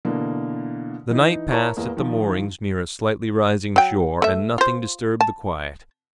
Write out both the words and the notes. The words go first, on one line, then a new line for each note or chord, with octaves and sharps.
The night passed at the moorings near a slightly rising shore, and nothing disturbed the quiet.
B2 D3 E3 A#3
E3 D#4
E4 A#4 C#5 A5 A#5 C#6
E2 A#3 B3
D#3 F3
F#3 G5
A3 E5
F4 C5
A5